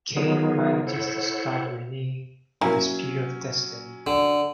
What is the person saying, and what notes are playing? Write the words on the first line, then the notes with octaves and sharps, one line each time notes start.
Cain manages to stab Renee with the Spear of Destiny.
D#3 F#3 B3 D#4 F4 G#4
E4 A4 C5 C#5 F#5
F#3 A#3 C#4 E4 A#4 G#5
D3